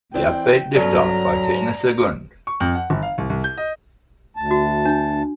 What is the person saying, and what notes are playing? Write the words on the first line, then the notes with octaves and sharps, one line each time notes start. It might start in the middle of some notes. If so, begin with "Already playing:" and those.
The upbeat "Lift Off" by Tina Sugandh.
E3 C4 D5 G5
G1 F#3 C#4 A4 D5 A#5
C#6
F2
F#5
G1
F5
C2
C2
G6
D#5
D2 A5
F#4
D4